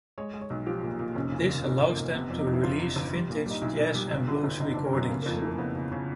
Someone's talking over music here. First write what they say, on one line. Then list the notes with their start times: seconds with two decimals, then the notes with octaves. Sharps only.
This allowed them to release vintage jazz and blues recordings.
0.18 G#3 C#5
0.34 G#3
0.41 C#5
0.50 B1
0.66 F3 G4
0.83 A#2
0.91 D#4
0.99 A#2
1.15 F1 C#4
1.32 C#3
1.40 A#3
1.49 D#2
1.64 F1
1.81 F1
1.89 A#3
1.98 F1
2.14 C3 B3
2.30 F2
2.39 D#4
2.47 F2
2.53 E4
2.63 G1 F4
2.79 C3
2.96 G1
3.13 G3
3.29 A#2
3.46 G3 D#4
3.61 B1 E4
3.79 B1
3.95 G3
4.11 G1
4.28 D3
4.44 G1
4.60 G1 D#4
4.73 G1 D4
4.85 C#4
4.93 F#2 B3
5.09 C#3 A#3
5.22 F2 A#3
5.34 A3
5.42 E3 A#3
5.58 C#3 B3
5.75 C#3
5.92 C#3